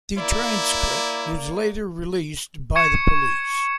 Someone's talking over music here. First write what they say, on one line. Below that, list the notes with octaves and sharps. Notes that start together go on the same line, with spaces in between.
The transcript was later released by the police.
A#3 E4 D5
C#6 G#6 C#7 E7